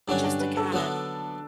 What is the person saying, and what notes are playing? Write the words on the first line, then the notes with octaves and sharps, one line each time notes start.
just to kind of
G2 D3 F#3 C#4 D4 F#4
D4
B4
A4
D3 F#3 B3 D4 A4